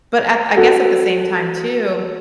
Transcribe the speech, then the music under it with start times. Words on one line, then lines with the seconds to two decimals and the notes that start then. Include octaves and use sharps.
but I I guess at the same time too,
0.57 F#4 A4